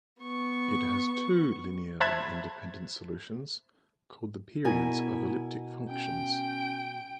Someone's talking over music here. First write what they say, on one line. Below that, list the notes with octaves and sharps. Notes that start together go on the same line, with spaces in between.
It has two linearly independent solutions, called the periods of elliptic functions.
B3 C#6
C5 E5 A5 B5 F#6 G#6
B2 E4 A#4 G#5
C#4 G5 D7